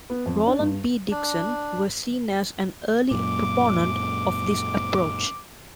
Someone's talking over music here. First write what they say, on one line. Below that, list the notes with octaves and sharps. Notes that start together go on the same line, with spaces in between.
Roland B. Dixon was seen as an early proponent of this approach.
B3
F2
D4
G2
D4
F#2 A#2 D6